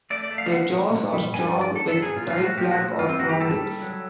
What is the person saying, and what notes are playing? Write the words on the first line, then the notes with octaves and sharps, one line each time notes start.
Their jaws are strong with tight black or brown lips.
A3 D5
D5
A3
F5
A#3 F#5
A#2
A#2
G3
G2 G#5
D5
D3
D5
G2 A4
A4
F#3
G#4
A#2 F4
F4
A3
F#4
A#2 G4
F#4
A3
G2 F4
C4
A#3 F#4
G4
G3 A4
G3
F#3